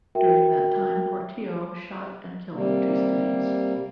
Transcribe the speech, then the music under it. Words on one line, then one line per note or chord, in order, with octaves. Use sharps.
During that time, Portillo shot and killed two students.
F#4 A#4 E5 G5
C3 G3 A#3